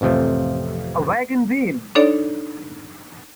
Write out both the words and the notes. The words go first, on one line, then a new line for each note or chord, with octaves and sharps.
A wagon wheel!
A1 F2 C3 F3 A3
D4 D#4 A4 C#5 D5